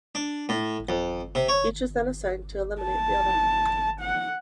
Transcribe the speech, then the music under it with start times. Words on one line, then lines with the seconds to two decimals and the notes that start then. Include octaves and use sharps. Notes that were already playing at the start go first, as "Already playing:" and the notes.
Each is then assigned to eliminate the other.
0.15 D4
0.49 A2
0.89 F2
1.35 C3
1.49 C#5
2.81 A5
4.01 F#5